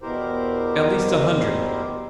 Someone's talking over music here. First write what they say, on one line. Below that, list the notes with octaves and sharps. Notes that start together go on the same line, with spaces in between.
"At least a hundred."
E2 B2 E4 G4 A#4 C5